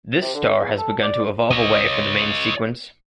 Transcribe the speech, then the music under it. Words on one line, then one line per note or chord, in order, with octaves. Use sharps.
This star has begun to evolve away from the main sequence.
C3
D3
E2
A4
D5
C#5 D#5